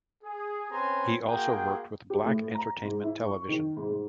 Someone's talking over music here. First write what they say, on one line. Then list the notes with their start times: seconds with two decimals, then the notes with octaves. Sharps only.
He also worked with Black Entertainment Television.
0.24 G#4
0.70 C4 C#4 B4 G#5 A#5 C6
1.22 G#3 A#3 F#4 G#4 G5
2.10 G4
2.24 A2
2.55 A#5
2.83 G#2
3.03 E4
3.24 C#6
3.48 D#3
3.77 G#2
3.89 G#2